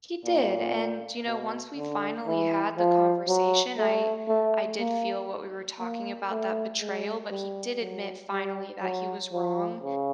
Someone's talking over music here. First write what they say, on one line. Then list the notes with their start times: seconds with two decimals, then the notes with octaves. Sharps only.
He did, and, you know, once we finally had the conversation, I I did feel what we were talking about, that betrayal, but he did admit finally that he was wrong,
0.25 A#2
1.26 B2
1.76 D3
2.27 E3
2.78 F3
3.28 F#3
3.78 A3
4.28 A3
4.79 A#3
5.80 A#3
6.30 A3
6.81 G#3
7.31 G3
7.80 F#3
8.31 G3
8.81 F#3
9.32 F3
9.83 C#3